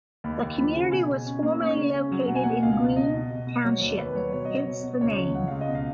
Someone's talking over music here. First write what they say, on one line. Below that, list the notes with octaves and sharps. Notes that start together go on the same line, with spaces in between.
The community was formerly located in Green Township, hence the name.
D#2 B5
D#2
F3 B5
C#3
B2 G#5
B2
C#4
A#3
C#4
C#3
C#4
F#3
B2 F#5
G#5
A#3 F#5
C#2 F5
B2
B2 D#5
B2
B2
B2
F#3 C#5
D#2 C#5
D#2 B4
F#3 C#5
B2 C#5
F#3 D#5
C#5
B2
B2
C#2 C#5
C#3
C#2 F#5
C#2 F5
D#5
B2
F5